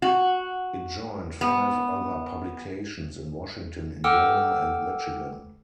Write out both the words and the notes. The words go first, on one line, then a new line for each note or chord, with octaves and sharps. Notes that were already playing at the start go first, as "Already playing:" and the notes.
It joined five other publications in Washington, Indiana, and Michigan.
F#4
B3
A4 F#5 G5 D6 E6 F6